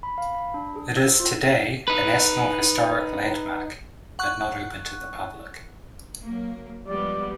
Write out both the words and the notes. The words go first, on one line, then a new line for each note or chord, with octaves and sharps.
It is today a National Historic Landmark, but not open to the public.
B5
F5
B5
D4
G#4
E6
C5
F4
D#4 B4
F#5 C#6 F#6
F#3 A#3
F3 G3 G#3 B3 D5